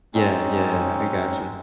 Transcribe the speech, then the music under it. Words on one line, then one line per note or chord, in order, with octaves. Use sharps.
Yeah, yeah, I I gotcha.
G#3 C4 C#4 D#4